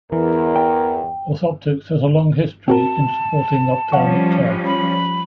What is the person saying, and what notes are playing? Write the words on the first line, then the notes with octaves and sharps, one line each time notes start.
Orthoptics has a long history in supporting ophthalmic care.
E2 E3 A#4
G5
C4 F#4 A#4 A5
F3 G3 C#4 F5 F#5 C#6
B5